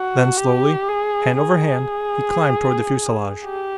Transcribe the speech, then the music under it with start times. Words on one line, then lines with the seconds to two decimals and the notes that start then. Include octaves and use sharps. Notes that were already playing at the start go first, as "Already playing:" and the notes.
Then slowly, hand over hand, he climbed toward the fuselage.
Already playing: F#4
0.37 G4
0.88 G#4
1.40 G#4
3.45 G4